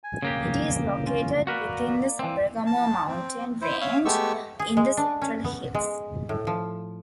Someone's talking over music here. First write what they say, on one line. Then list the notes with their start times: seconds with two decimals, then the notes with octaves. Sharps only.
It is located within the Sabaragamuwa mountain range in the central hills.
0.04 G#5
0.23 C#3 A#3 G4
1.06 C#4 F4
1.47 A#3 F#4 A#4 B4 D5
2.19 E3 C4
2.66 A5
3.08 C4
3.62 E4 C5
3.81 C#5 E5 F5
4.05 G#3 A3 B3 G4 C#6 E6
4.59 G#4
4.77 G#3
4.97 D4
5.22 C#4
5.44 B3
5.75 G#3
6.29 A2
6.47 F3